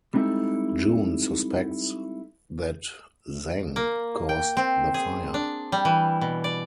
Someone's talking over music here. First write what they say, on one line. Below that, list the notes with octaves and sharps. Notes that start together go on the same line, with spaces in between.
Jun suspects that Zeng caused the fire.
G3 G#3 C4 D#4 E4 A4
A#3
G5
C4
G#4
D4
G3
E3
B2
D5